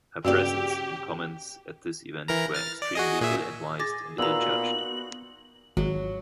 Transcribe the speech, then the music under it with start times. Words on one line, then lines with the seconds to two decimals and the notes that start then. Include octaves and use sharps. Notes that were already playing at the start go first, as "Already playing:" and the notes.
Her presence and comments at this event were extremely ill-advised and ill-judged.
0.25 G2 C#3 A#3 B3 F#4 G4 D5
2.28 E3 A#4 A#5
2.54 F6 A6
2.82 D5
2.95 F#4 G#4 D#5
3.21 A#2 G#4 E5
3.79 G#4 D6 A6 A#6
4.18 A#2 B3 D#4 F#4 A#5 E6 F#7
5.77 G#1 F#3